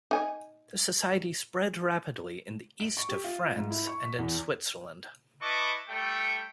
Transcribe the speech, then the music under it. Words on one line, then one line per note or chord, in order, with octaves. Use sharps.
The society spread rapidly in the east of France and in Switzerland.
D#4 G#5
D7
C#6
G4
F4
G#2
E4
C#6
B6
E2
E4 B4 D#5 A5 C#6 D6
G3 A3 G5